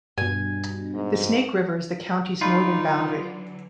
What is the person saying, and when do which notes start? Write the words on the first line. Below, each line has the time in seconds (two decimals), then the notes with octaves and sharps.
The Snake River is the county's northern boundary.
0.18 G2 B2 G#5
0.94 G#2
2.41 D3 E3 F#3 D#4 F4 D5 B5